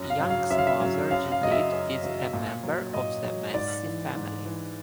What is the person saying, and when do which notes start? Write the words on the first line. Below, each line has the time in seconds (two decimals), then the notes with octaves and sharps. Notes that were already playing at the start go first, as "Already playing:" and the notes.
Young's mother Judith is a member of the Massey family.
Already playing: F#2
0.10 F5
0.20 C#3 F#3
0.30 F5
0.50 F#2 E5
0.58 F5
0.67 E5
0.80 C#3 F#3
1.11 F#2 F5
1.32 F5
1.41 C#3 F#3 D#5
1.52 E5
1.72 F#2
2.03 C#3 F#3
2.33 A#2
2.63 F#3
2.93 A#2 D#5
3.24 F#3
3.54 G#2 D5
3.85 E3
4.15 G#2
4.45 E3